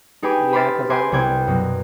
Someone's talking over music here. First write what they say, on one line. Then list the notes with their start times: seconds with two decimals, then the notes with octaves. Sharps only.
Yeah, 'cause I'm like
0.23 D#4 G4 G#4 B4 G#5 D6
0.53 B5 C6 D6 F6 A6
0.90 B4 C5 G#5 A#5 C6 D6
1.12 C2 B3 G5 D6 F#6 G#6
1.47 F#2 B2